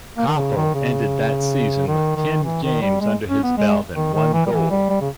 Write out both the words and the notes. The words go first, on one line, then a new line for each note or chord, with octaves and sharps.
Coppell ended that season with ten games under his belt and one goal.
A#3
D#3
C#3
D#3
C#3
D#3
D#3
E3
D#3
G3
G#3
C#4
B3
G#3
D#3
D#3
E3
G3
E3
G3
G3
C#3